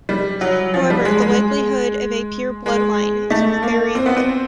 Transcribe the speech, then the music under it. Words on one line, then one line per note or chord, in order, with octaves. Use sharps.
However, the likelihood of a pure bloodline is very low.
G3
F#3
F3
G3
G#3
G#3
G#3
A3
A#3
C4
B3
C4